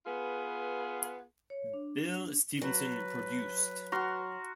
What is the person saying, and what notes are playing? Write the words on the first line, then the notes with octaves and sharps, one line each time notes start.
Bill Stevenson produced.
B3 F4 G#4 B4
C#5
D4
F#3 B4
F#4 A#5 C6 F6